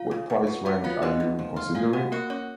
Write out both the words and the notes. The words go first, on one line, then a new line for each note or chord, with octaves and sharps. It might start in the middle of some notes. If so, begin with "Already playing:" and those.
What price range are you considering?
Already playing: F4 F5
C#3
B2
B2
F#3 F#4 F#5
B3 F4 F5
G#3 D#4 D#5
B2
F3
F4
F4 G#4 F5
G#3 F#4 F#5
A#3 F#4 A#4
C#4 F#4 C#5